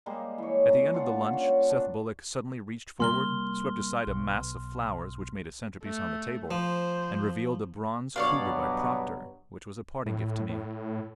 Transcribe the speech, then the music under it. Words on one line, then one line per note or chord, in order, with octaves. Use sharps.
At the end of the lunch Seth Bullock suddenly reached forward, swept aside a mass of flowers which made a centerpiece on the table, and revealed a bronze cougar by Proctor, which was a parting gift to me.
G3 G#3 A#3 G#4
E3 C#5
A#5
D4 F4 F#5
C#4
D4
C3 G3 A#3 C6 F6 G7
B1
A3
F3 C5
G2 B2 F#3 C#5 D5 F5
A2
A2